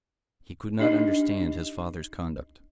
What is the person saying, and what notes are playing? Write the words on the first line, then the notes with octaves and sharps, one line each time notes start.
He could not understand his father's conduct.
D4 D#4 G4 D#5